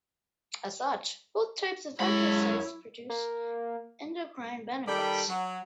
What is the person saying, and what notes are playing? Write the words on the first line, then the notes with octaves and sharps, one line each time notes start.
As such, both types of exercise produce endocrine benefits.
F#2 G#3 E4 C#5 B5
A#3
D#3 G3 A4 D5 G5 B5
F#3